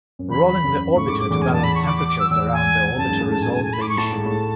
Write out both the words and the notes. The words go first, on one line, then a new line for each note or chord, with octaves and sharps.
Rolling the orbiter to balance temperatures around the orbiter resolved the issue.
F#2
E2 B5
B5
E2
F#2
A2 C#6
G#2 D6
F#2 D6
E2 D6
G#5
A5
B5
C#6
D6
D6
D6
E6
E2 E6
G#5
E2
F#2 A5
G#2
A2
A5
G#5
G#5
G#5
B5
D6
C#6
A2 A5
G#2
A2